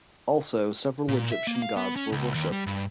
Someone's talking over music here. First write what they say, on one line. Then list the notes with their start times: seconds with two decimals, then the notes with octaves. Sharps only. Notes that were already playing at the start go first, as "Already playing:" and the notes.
Also, several Egyptian gods were worshipped.
1.08 A#2
1.32 E5
1.47 A#3
1.62 F5
1.77 B3
1.96 C#4
2.12 C#2
2.35 D#2
2.52 G3
2.66 G2